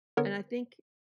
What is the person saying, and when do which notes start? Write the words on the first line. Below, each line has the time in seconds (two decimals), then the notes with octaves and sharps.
and I think
0.17 D3 B3 A#4 C#5